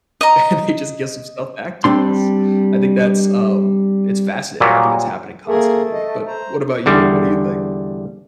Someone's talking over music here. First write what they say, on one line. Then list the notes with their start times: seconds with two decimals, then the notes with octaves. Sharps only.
and they just give some stuff back to us. I think that's, um it's fascinating, I think it's happening constantly, but what about you? What do you think?
0.21 D#5 A#5
1.84 G3 C4 D4 C6
4.60 A#2 F#3 G3 A#3 B3
5.48 A3 A#3 G#4 A#4
5.93 D#5
6.27 C5 A#5
6.86 E2 D3 G3